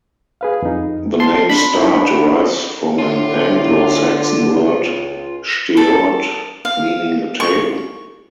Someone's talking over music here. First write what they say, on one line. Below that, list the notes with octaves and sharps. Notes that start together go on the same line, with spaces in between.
The name "Start" derives from an Anglo-Saxon word "steort", meaning a tail.
G#4 B4 F5
F2 D#4
A5 C6
D4 B5
D#4 E4
D4
A2 D3 F4 C6
C#2
A4
F5
C#6